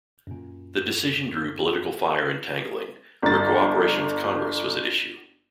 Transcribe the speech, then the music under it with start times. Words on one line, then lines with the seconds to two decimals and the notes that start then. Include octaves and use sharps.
The decision drew political fire and tangling, where cooperation with Congress was at issue.
0.27 F#2 A#2
3.23 G1 A6